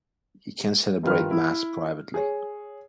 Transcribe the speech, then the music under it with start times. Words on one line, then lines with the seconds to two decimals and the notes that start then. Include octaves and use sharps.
He can celebrate Mass privately.
1.03 G2 D#3 F4 B4 F6
1.31 E4
2.14 G#4 C#5